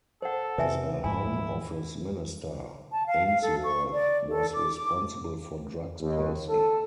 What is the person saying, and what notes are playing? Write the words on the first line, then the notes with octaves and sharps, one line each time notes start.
As a Home Office minister, Ainsworth was responsible for drugs policy.
A4 C5 F#5
C3 B4 E5 G#5
D2 G#2 F3 E4 G#5
A5
F5
F5
A4
C#6
D5
A4
D6
D#2
A4